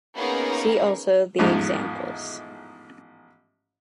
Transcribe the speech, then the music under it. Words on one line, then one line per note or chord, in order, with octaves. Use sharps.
See also the examples.
A#3 B3 C#4 D#4 G#4 A#4
A1 E2 G#2 F3 G#3